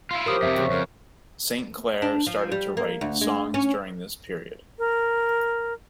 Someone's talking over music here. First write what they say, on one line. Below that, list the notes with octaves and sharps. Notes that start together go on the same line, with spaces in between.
Saint Clair started to write songs during this period.
E4 F4 F5
F3 C4 G4 A#4 D#6
F2 C3 E5
C#3 C4 F#4
F2 A#4
D4
F3
G3
A#3
D2
G#3
C#4
A#4